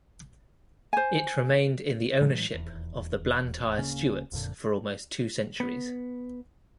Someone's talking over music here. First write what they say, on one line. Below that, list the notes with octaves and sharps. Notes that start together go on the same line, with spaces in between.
It remained in the ownership of the Blantyre-Stewarts for almost two centuries.
C5 G#5
A2 E3 F#3 G#3
D#1 E2
D1 C#3 A#3 C#4
F#1 F2 A#2 D3
B3